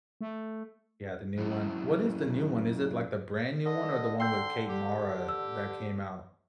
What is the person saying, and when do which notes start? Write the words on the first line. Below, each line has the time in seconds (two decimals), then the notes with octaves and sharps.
Yeah. The new one What is the new one? Is it, like, the brand new one or the one with Kate Mara that came out?
0.21 A3
1.38 F#2 E3
3.66 D3 D#5
4.20 G5 C6 E6 G6
4.69 G4
5.29 E6